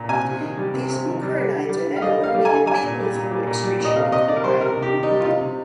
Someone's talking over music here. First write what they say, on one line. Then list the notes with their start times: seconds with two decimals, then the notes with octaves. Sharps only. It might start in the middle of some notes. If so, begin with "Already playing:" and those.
These glucuronides are then eliminated mainly through excretion into the bile.
Already playing: A#2
0.09 C3 G#5
0.25 C3
0.41 D#3
0.57 G3
0.74 C3
0.89 C3
1.05 D#3
1.21 G3
1.38 G3
1.53 D3
1.69 G3
1.86 D3
1.96 F5
2.02 G3 D#5
2.18 D3
2.24 F5
2.35 G3
2.45 G#5
2.50 D3
2.66 G3 G#5
2.83 A#2
2.99 G3
3.15 A#2
3.31 G3
3.47 A#2
3.63 G3
3.80 A#2 D#5
3.96 C3 F5
4.12 C3 D#5
4.28 D#3 D5
4.36 A#4
4.44 G3 C5
4.60 C3 A#4
4.77 C3
4.82 G4
4.93 D#3
5.03 D#4
5.09 G3
5.20 F4
5.24 C3 D#4
5.41 C3